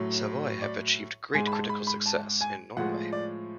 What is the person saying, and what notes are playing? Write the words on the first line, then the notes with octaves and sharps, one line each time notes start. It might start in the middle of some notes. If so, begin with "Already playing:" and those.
Savoy have achieved great critical success in Norway.
Already playing: A2 F#3
D5
G#2 G#3 G#5
B5
A5
B5
B5
A5
G#5
A2 F3 G#3 F#5
D5